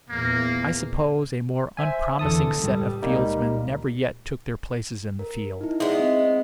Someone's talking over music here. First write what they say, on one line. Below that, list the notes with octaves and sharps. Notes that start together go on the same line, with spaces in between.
I suppose a more unpromising set of fieldsmen never yet took their places in the field.
E2 A#2 A#3
C5 E5 G#5
E2 D3 A4 A5 D#6
C#2 A2 G3
C#2 A#2 G3 A#3 D#4
A#4
D#4 E4
G#3 B3 D5 E5
C4 D#5